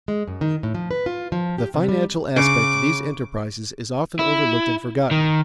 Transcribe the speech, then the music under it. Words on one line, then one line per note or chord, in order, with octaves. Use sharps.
The financial aspect of these enterprises is often overlooked and forgotten.
G#3
F#2
D#3
A2
F3
B4
F4
F3
G4
C3
G3
C#3 D6
E4
D#3